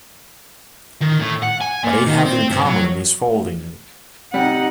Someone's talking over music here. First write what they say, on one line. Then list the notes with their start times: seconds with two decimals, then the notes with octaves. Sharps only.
What they have in common is folding.
1.02 D#3
1.19 A2
1.43 F#5
1.61 G#5
1.84 A#2
2.07 D#3
2.25 C4
2.50 G2
2.65 F#3
4.33 C3 G3 D#4 G4 F#5